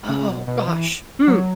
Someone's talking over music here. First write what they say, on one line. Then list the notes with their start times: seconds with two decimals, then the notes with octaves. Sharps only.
Oh gosh, hmm.
0.09 C#3
0.28 B2
0.47 B2
0.68 E3
1.27 F#3